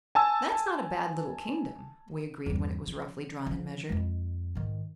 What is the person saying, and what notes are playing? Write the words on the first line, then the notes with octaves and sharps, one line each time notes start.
"That's not a bad little kingdom," we agreed when it was roughly drawn and measured.
G#5 A5 E6
E2 G2
F3
D3 F3
F2 G#3
G#2 D#3